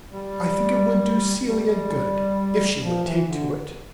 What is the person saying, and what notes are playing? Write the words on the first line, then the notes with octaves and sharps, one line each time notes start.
"I think it would do Celia good--if she would take to it."
G3
G3
F3
E3
D3